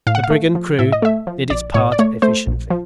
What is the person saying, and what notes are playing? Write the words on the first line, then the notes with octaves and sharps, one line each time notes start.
The brigand crew did its part efficiently.
A2 F5
F#5
F5
A3
F3
A2 E5
D#5
A3 E5
F3
A#1 D5
A2 C#5
D5
A3 C#5
A3 C5
A#1
F3